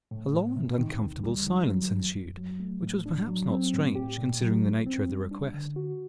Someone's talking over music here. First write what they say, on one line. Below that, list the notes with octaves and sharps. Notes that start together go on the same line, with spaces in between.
A long and uncomfortable silence ensued, which was perhaps not strange, considering the nature of the request.
A2
A2
C3
D#3
D2
G3
D#3
F#3
F#2
F#2
F#3
A3
A2
D4
F#3
C4
A2
G4
A#2
F#3
C2
C4
G3
D4
D3
F#4